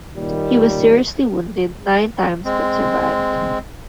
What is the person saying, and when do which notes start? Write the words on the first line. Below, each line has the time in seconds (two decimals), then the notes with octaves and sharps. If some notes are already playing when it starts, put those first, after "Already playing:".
He was seriously wounded nine times but survived.
0.15 D#2 A#2 D#3 G3
2.44 G#3 C4